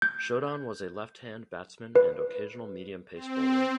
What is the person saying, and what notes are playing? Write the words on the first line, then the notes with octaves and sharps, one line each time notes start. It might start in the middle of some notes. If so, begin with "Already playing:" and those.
Shodhan was a left hand batsman and occasional medium pace bowler.
G6
B4
C4